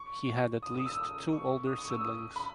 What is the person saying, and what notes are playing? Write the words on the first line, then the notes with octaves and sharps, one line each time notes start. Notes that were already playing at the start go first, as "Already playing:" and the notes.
He had at least two older siblings.
Already playing: C#6
D#6
D#6
E6
D#6
C#6
D#6
C#6
E6
D#6
B5